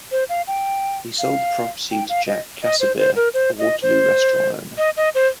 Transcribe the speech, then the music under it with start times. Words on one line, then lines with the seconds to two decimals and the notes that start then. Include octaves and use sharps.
He sold the property to Jack Casebeer, a Waterloo restaurant owner.
0.12 C5
0.29 F5
0.47 G5
1.19 F5
1.91 G5
2.09 F5
2.27 D#5
2.63 D#5
2.80 C5
2.98 C5
3.16 A#4
3.34 C5
3.59 D#5
3.82 C5
4.78 D#5
4.97 D#5
5.15 C5